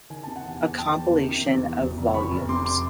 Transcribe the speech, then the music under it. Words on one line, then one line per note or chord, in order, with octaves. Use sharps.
A compilation of vols.
D#3 G#5
C3 A5
F#5 G#5
E2
E2
E2 G5 A5
E2
D#3
C3
E2
E2
F1
F1
F1 B5 C#6
F1
C3 C6 D6
C6 D6